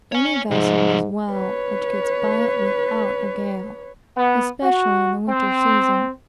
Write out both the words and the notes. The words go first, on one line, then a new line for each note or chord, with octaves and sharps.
Any vessel does well which gets by it without a gale, especially in the winter season.
C#5 G#5
G#2 C3 F3
B4 C#5
B3
F#4
C4